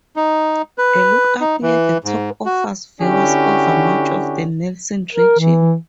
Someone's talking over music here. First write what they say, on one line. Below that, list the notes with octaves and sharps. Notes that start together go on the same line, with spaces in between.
A lookout near the top offers views over much of the Nelson region.
D#4
B4
D#4
E3
G#2
F#4
D3 C#4 E4 F#4 G4
A#4
E3